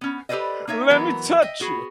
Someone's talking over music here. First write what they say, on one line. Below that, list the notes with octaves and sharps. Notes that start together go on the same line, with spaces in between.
Let me touch you!
B3 C#4
G4 A4 B4 C5 D5 D#5
A#3 D#4 C#5 E5
E3 F#3 B3 A#4
D#5 E5 G5
B3 F#4 G#4